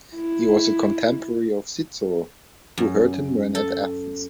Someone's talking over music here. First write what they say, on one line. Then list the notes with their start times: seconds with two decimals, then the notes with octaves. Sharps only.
He was a contemporary of Cicero, who heard him when at Athens.
0.15 E4
2.78 F#2
3.55 A4